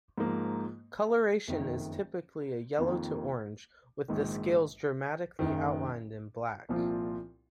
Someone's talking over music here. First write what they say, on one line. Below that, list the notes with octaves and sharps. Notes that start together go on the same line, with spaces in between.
Coloration is typically a yellow to orange, with the scales dramatically outlined in black.
G#2 F3 A#3
F#1 F2 D#3
F2 D#3 A#3 F4
A#1 G#2 D#3
F#1 F#2 D#3
C2 A#2 F3 C4 F4